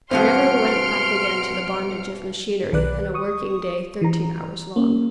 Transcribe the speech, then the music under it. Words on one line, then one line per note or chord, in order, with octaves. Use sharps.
I never went back again to the bondage of machinery and a working-day thirteen hours long.
E2 G2 B2 C4 C6 F6 C#7 D7
B1 D#3 B4 D5 F#6
C#6 D#6
E3 A#5
A#3 C#4